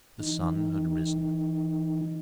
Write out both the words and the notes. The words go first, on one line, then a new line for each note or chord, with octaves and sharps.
The sun had risen.
E3 D#4